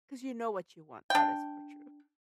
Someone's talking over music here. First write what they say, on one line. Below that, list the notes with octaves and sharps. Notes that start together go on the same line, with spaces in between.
‘Cause you know what you want. That is for true.
D4 G5